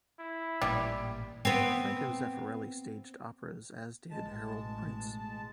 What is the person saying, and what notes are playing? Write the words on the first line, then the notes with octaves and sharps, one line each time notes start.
Franco Zeffirelli staged operas as did Harold Prince.
E4
A1 A#2 G3
B3 C4
A1 B2 G#3 A5